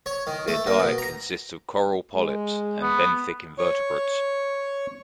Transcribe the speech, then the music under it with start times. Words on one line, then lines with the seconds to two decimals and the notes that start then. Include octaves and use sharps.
Their diet consists of coral polyps and benthic invertebrates.
0.06 C#5
0.27 D#3
0.48 A3
0.67 A#3
0.80 B2
0.98 A#5
2.15 G#3
2.82 B3
3.58 C#5